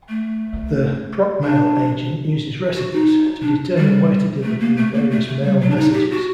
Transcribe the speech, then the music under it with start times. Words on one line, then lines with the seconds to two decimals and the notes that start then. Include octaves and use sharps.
The procmail agent uses recipes, to determine where to deliver the various mail messages.
0.08 A3
1.42 D4
2.76 F#4
2.93 D#4
3.42 D4
3.76 G3
4.43 A3
4.59 A#3
4.76 A3
4.93 A#3
5.10 A3
5.26 A3
5.43 G3
5.60 F#3
5.70 D4
5.76 D#4
5.93 G4
6.10 F#4